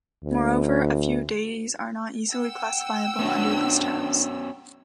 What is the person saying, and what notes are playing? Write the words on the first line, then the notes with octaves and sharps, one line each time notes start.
Moreover, a few deities are not easily classifiable under these terms.
D2
F#5 G5 E6
B3 C#4 D4 F#4